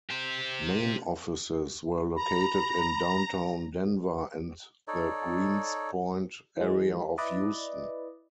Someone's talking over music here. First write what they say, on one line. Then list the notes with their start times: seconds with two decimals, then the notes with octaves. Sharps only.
Main offices were located in downtown Denver and the Greenspoint area of Houston.
0.11 G4 C5
2.15 A#5 B5
4.88 D#4 A4 C#5 D5
6.57 E3 G#3
7.18 E4 B4 D5 D#5